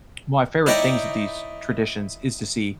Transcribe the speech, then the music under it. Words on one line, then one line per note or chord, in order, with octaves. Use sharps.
My favorite things with these traditions is to see,
D#4 E4 C#5 D5 G5 A#5